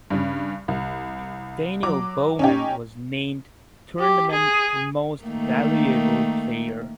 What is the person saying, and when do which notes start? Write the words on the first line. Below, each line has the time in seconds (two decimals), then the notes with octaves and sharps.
Daniel Bowman was named Tournament Most Valuable Player.
0.10 G2 C#3
0.68 C2
1.83 F#3 D6
2.39 C#4 D#4 G4
3.99 G4
4.32 G#4
5.23 D#3 A3 A#3